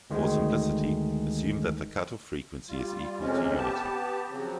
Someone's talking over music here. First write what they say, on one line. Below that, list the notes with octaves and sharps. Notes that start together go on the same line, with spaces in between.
For simplicity, assume that the cutoff frequency is equal to unity.
D2 D#3 G#3
G3 F4
F2 C3 G#3 C4 C#4
B3 G4 A5
C#3 F3 F#3 C4